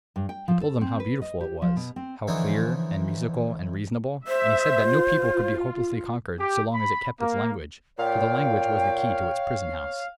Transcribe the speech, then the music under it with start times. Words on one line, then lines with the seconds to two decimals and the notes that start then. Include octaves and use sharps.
He told them how beautiful it was, how clear and musical and reasonable, and he said that no people could be hopelessly conquered so long as it kept its language, for the language was the key to its prison-house.
0.16 G2
0.29 G5
0.48 F3
0.61 A4
0.81 C4
1.00 B4
1.22 D#5
1.41 G4
1.62 F3
1.76 B2
1.96 C4
2.27 D3 E3 F3 A3 C#4 D#4
4.27 C5 E5
4.90 F4
6.40 G4
6.74 B5
7.20 A#3
7.99 A#2 C#5 F5 G5